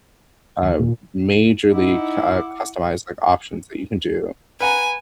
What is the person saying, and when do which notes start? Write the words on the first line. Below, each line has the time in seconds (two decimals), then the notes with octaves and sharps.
uh, majorly, uh, c customized, like, options that you can do
0.63 D#2
0.79 A#2
1.73 D#4 E4 F#5 D6
4.60 B4 F#5 G#5 A#5